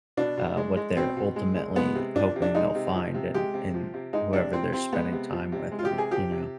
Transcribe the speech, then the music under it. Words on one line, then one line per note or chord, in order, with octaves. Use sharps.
uh, what they're ultimately hoping they'll find, and and whoever they're spending time with and, you know?
B2 D4
B2
G#3
G#3
B2 C4
B2
G#3
G#3
G#3 B3
C3
F3 D4
C3
D4
G#3 D#4
C3
F3
C3
G#3 G4
C3
F3
C3
G#3 D#4
C3 D4
F3 C4
C3 C4
G#3 B3
C3
F3
C3
G#3
F4
G4
C3
G#4
F3 G4
C3